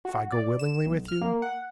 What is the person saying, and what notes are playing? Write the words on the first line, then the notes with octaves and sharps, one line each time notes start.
"If I go willingly with you?"
F#4
D5
E7
B1
F6
A#3
F#5